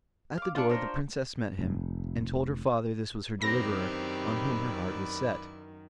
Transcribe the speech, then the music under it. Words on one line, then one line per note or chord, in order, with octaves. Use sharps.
At the door the Princess met him, and told her father this was her deliverer, on whom her heart was set.
F5 D6
D4 F4 F5 C#6
A#4 C5 C#5
F1
F#2 D#3 C4 E4 G4 B4 D5 A#6